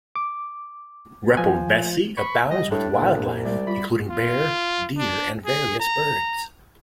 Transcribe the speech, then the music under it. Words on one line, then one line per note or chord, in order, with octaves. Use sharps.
Repovesi abounds with wildlife including bear, deer and various birds.
D6
F3 G#5
B5 C#6
G3 D#5
A2 D4
C2 A#2 F5
G3 G#3 D5
G3 F4 B5
F4
D4
G#4
A#5